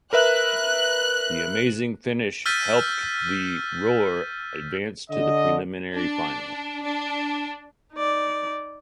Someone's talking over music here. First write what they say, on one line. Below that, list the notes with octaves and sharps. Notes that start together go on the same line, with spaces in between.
The amazing finish helped the Roar advance to the preliminary final.
A#4 B4 E5 F#6
E6 F6 G6 A6 B6 D#7
D3 D#5
D4
D4
D#4 D5